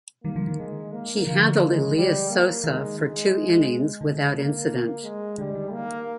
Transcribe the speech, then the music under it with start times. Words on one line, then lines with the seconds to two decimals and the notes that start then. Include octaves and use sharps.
He handled Elias Sosa for two innings without incident.
0.24 D#3 G3 A#3
0.36 D3 F3
0.47 D#3
0.58 G#3
0.93 A#3
1.27 D3 F3 A#3
1.62 G#3
1.96 G3
2.30 A#3
2.64 D#3 G#3
2.98 G#3
4.01 D3 G#3
4.36 A#3
5.04 G#3
5.38 D3 G3
5.55 D#3
5.72 A#3